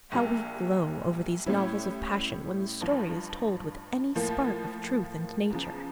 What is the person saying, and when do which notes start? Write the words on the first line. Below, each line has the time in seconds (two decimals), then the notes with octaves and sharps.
How we glow over these novels of passion, when the story is told with any spark of truth and nature!
0.12 A#1 A#2 G3
1.46 A2 G3 C#4 E4
2.80 A1 G2 F3
4.16 A2 F3 A#3
5.50 E2 C#3 F3